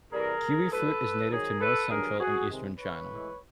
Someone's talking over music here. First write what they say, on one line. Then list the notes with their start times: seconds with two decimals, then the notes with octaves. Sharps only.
Kiwifruit is native to north-central and eastern China.
0.13 C3 E3 G3 G#4 A#4
0.72 A2 F#3 A4 B4
1.31 G#2 D#3 F#3 G#4 A#4
1.60 A4 B4
1.90 G2 D3 F#3 G#4 A#4
2.20 F#4 G#4
2.50 C3 D#3 G#3
2.79 B4 C#5
3.09 A2 E3 G#3